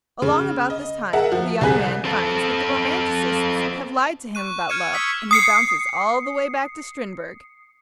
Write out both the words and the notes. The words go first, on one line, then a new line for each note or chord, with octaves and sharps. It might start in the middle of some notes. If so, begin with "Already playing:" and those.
Along about this time the young man finds that the romanticists have lied to him about love and he bounces all the way back to Strindberg.
C#3
D#5
G#4 A#4 E5 F#5 A5
F3 F#4
C2 G3 G#4 G#5 F#6 B6
C4 A4
C#6 F#6 D#7
F6 G#6 C#7 D#7 E7
C#6 D#6 E6 G#6 B6 C#7
D#6 C7 C#7